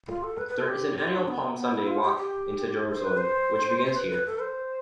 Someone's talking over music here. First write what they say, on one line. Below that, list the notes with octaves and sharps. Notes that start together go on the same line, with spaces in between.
There is an annual Palm Sunday walk into Jerusalem which begins here.
F4
A4
B4
B4
A4
G4
G4
F4
D4
B3
B3
E4
F4
G4
G4
C5
B4
C5
C5
B4
B4
A4
C5